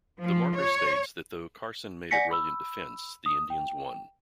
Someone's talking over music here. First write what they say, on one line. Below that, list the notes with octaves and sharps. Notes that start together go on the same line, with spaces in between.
The marker states that though Carson made a brilliant defense, the Indians won.
F3
C#5
D5 F#5 G#5 A#6 B6 C#7
B5 E6
D#6
G5